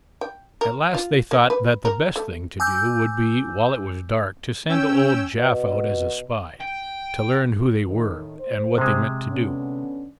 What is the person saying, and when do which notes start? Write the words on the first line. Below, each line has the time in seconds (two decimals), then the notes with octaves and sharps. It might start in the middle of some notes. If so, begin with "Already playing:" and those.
At last they thought that the best thing to do would be, while it was dark, to send old Jaf out as a spy, to learn who they were, and what they meant to do.
0.21 G5
0.61 A#4
0.94 F4
1.31 A#3
1.50 B4
1.85 A#4
2.16 A3
2.60 G#5 D6 E6 G6
4.69 C#4 G5 E6
5.38 B2
6.60 G5
7.84 A2 D#3
8.38 C5
8.78 C3 G#3
9.28 D3 B3 C#4